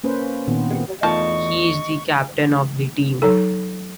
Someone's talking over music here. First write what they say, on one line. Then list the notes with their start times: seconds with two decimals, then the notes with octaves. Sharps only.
He is the captain of the team.
0.04 A#3 C#4 B4 C5
0.48 A#2 D#3 B3 C4
1.03 E2 D#3 A3 F4 D#5 A5 C#6
3.22 F#3 D#4 A4